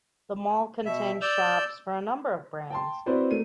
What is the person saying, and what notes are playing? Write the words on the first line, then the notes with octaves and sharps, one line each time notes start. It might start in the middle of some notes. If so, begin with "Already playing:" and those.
The mall contains shops for a number of brands.
B2 E5
D5 E6 G6
G5 A5 C6
C4 E4 F#4 B4 C5 D5
A3 A#3 D#7